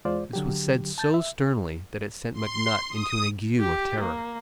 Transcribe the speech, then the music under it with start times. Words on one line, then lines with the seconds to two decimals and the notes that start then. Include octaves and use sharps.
This was said so sternly that it sent McNutt into an ague of terror.
0.05 E2 G#3 F4 C5 D5
0.33 D3 F#3 G4
0.98 A5 G6 A6
1.14 E5
2.33 C6
2.89 D#6
3.60 G4
4.01 A#3